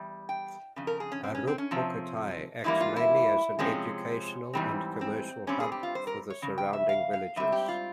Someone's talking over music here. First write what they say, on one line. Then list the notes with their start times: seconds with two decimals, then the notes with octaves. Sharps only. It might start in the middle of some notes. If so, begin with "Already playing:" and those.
Aruppukottai acts mainly as an educational and commercial hub for the surrounding villages.
Already playing: E2 G3
0.29 G5
0.76 F2 C#3
0.87 A#4
1.00 G#4
1.12 C#4
1.24 C4
1.35 C#4
1.47 C4
1.58 C#4
1.71 C3 F3 C4
2.64 G#2 E3 G3 A#3 E4
2.81 F4
2.96 E4
3.59 C3 F3 G#3 C4 C#4
4.53 G#2 E3 G3 C4
5.01 C4
5.47 G2 G3 C4 C#4
5.60 G#4
5.72 G4
5.83 F4
5.95 C5
6.07 A#4
6.30 C#5
6.42 F2 C#3
6.58 G5
6.73 E5
6.89 F5
7.13 F5
7.36 G#2 G3 C4 E5
7.52 G4
7.68 F4